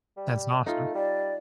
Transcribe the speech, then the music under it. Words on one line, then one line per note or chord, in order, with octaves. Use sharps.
That's awesome.
G3
A3 D#4 F4
G3 D5